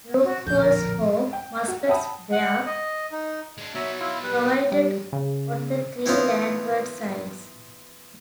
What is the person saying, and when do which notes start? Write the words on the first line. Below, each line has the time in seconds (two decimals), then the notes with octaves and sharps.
Loopholes for muskets were provided on the three landward sides.
0.24 F#4
0.47 D1 A#1 F2 G6
0.61 A#4
1.33 G5
1.68 F#4
1.87 E5 F#5 G5 A5 B5 D#6
2.32 F#5
2.66 D#5
3.12 D#4
3.58 G#3 D4
3.75 F#3 B3 D#4 E5
4.00 E4 F4
4.23 G3 B4
4.72 G3
5.13 C#3
6.06 E3 B3 D#4 F4